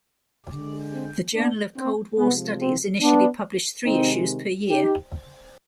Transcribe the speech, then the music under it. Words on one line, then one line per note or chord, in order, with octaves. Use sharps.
The "Journal of Cold War Studies" initially published three issues per year.
D3 G#3
C4
B3 D4
C4
C3 F3 G#3 B3
C4
B3 D4
C3 D#3 G#3 C4 D#4
D#4 G4